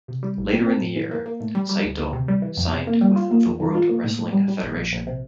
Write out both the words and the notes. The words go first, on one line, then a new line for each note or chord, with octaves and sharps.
Later in the year, Saito signed with the World Wrestling Federation.
C3
G3
A1
C4
C4
A2
E3
A#3
A#3
A2
G3
G3
D2
D2
C3
G3
E3
F2
C3
A#3
G3
F4
A#3
E2
E3
F4
A#3
A2
A2
G3
G3
A#1
A#1
A#1
C3